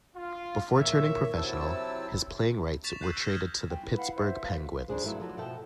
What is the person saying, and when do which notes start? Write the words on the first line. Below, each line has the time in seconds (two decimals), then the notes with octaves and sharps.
Before turning professional, his playing rights were traded to the Pittsburgh Penguins.
0.16 F4
0.75 D#2 A#2 C#5 E5
1.37 C3 F#3 C4 E4 A5 E6
2.84 C#6 A6 B6 E7 F7
3.01 F#6 G6 B6 C7 D#7 F#7
3.13 E6 F#6 G6 A#6
3.28 D#6 F6 G6 G#6 C#7
3.70 F4 G5 G#5
3.83 E4 A4 B4
3.96 F5 F#5 B5
4.16 C5 E5
4.44 F4 B4 F5
4.88 F2 D4 G#4 C5
5.03 D#3 F#3 A3 E4 F4
5.20 F3 F#3 A4
5.38 B2 F3 A4 E5 G5 A5